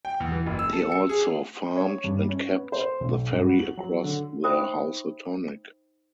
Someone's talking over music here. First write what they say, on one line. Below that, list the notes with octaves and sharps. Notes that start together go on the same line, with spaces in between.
He also farmed, and kept the ferry across the Housatonic.
G5
E2
E3
F#1
E6
A4
C#7
G#4
C#5
G2
C#4
B3
C5
B1
G2
F#4
F#7
F#3
D3
D#4 C5 E5 G5 B5 D#6